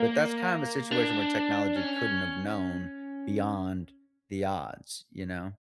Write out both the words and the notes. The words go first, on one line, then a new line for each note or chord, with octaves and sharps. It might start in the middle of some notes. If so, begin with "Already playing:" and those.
but that's kind of a situation where technology couldn't have known beyond the odds, you know?
Already playing: A#3
D4
C#4